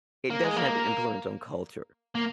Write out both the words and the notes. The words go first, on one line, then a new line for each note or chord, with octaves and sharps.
It doesn't have an influence on culture,
A#3
G#3
A#3
A#3